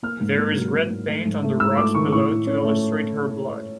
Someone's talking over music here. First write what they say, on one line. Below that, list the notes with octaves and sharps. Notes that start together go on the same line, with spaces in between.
There is red paint on the rocks below to illustrate her blood.
A#3 F6
G#2
A#3
F#3
A#3
G#2
A3
G#2
A3
G#2 E6
A3 D6
D#3 C#6
A2 C#6
A2
C#4
A3